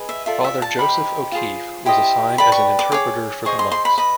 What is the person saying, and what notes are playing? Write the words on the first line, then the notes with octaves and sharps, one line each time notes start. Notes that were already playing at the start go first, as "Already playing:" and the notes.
Father Joseph O'Keefe was assigned as an interpreter for the monks.
Already playing: G#4 B4 D#5
E5
F4 A4 D5 E5
E5
A5
D#4 G4 C5 B5
F4 G#4 C5
E4 G4 C5 D#5
G4 B4 D5 B5
C#6
D6
G#4 C#5 D6
G#4 C5 D#5 C#6
C6
C6
B5
B4 D#5 B5